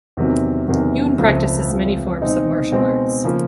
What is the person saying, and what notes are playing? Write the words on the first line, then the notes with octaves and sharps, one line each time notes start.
Yune practices many forms of martial arts.
E2 C3 D#3 F#3
E2 C3 D#3 F#3
C#2 C#3 F3 A3 C4
C#2 C#3 F3 A3 C4
B2 G#3 C4 D#4
B2 G#3 C4 D#4
C#3 F3 A#3